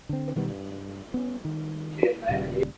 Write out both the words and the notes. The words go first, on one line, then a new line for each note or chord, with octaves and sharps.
Brisbane Water National Park is vulnerable to various environmental threats.
D3 C4
B2 D#3 G3 B3
G2
B3 C#4
D#3
D#1 A#2 C#3 G3